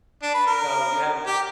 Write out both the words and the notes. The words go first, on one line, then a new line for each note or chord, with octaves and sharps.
so, you have
D4
B4
A#4
G4